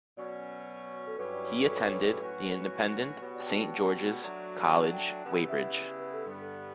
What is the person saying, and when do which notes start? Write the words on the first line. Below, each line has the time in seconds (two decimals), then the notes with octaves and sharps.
He attended the independent Saint George's College, Weybridge.
0.17 B2 F#3 C#4 D5
1.07 A4
1.18 G2 F#3 C#4 E4 G4 B4
1.33 D5
1.45 C#5
1.57 B4
1.69 A4
1.82 B4
1.89 C#5
1.94 B4
2.07 A4
2.19 A2 F#3 C#4 F#4 B4
3.21 B2 G3 B3 F#4 C#5
3.34 D5
3.41 G5
3.46 A5
3.59 G5
3.71 F#5
4.23 F#3 A3 D4 F#4
4.74 A5
4.92 G5
4.98 A5
5.24 C#3 G3 B3 E4 F#5
5.49 E5
6.00 B4
6.13 A4
6.25 G2 D3 G3 B3
6.40 A4